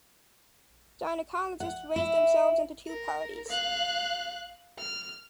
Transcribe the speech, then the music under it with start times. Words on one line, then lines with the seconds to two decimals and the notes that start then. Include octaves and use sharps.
Gynecologists ranged themselves into two parties.
1.60 F#5
1.96 E4
2.88 A#4
3.48 F5 F#6
4.78 F6